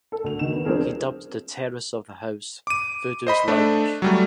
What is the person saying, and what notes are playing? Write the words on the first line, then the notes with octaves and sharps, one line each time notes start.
He dubbed the terrace of the house, Voodoo's Lounge.
A4
D2 F7
D2 D#3 E7
B3
F3 C4 D4 G#4 A#4
D6 D#7
C5 D#5 B5
A3 D4
F#3 G3 A3